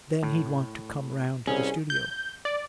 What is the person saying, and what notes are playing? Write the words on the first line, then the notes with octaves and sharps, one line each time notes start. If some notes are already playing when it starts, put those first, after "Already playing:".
'Then he'd want to come round to the studio.
A2
C2 C#4 G#4
G6
D5